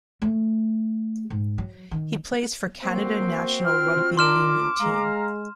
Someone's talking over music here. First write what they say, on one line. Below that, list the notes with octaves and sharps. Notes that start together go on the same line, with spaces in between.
He plays for Canada national rugby union team.
A3
G#2
F#3
D#3
A#3 C4 F#4
F4 F6
D4 A#4 C6 D6 F6 E7
G#3 F5 A#5